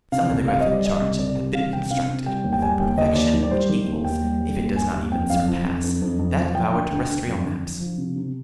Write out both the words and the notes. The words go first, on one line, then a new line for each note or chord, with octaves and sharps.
Selenographic charts have been constructed with a perfection which equals, if it does not even surpass, that of our terrestrial maps.
C3 F5
C2
C2 F5
D#5
G3
D5
G3 D#5
C2
C2 D5
G3
C3 F5
C2 G5
C3 F5
C3
G3 G5
D#2
G5
G3 G#5
D#2 G5
D#2 D#5
D#2 D5
D#3
D5
G3 C5
D#3
D#2
D#2 G5
G3
G3
D#2
G3 G#5
D#2
F2 G5
F2 F5
F3
F2
F2
F2
F2
F3
F3 G5
D2
D2
D2
F2
D3
F3
F3
C3
C3